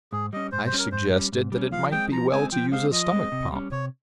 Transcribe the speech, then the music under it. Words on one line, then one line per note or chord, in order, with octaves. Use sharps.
I suggested that it might be well to use a stomach-pump.
G#2 G#4
G3 C#4 D#5
G#2 C5
C5
G3 C#4
A#4
G#2 C5
G3 C#4
G#2
G3 C#4
F3 F5
G#3 C4 G5
F3 A#5
G#3 C4 G#5
F3 G5
G#3 C4 F5
F3 D#5
G#3 C4
C3
G3 C#4
C3 C#5